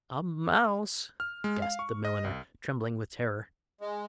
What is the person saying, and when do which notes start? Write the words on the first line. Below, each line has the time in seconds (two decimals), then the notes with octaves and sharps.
"A mouse!" gasped the milliner, trembling with terror.
1.20 F6
1.44 G#3
1.62 F5
1.79 C#6
2.05 D#5
2.24 C2
3.81 G#3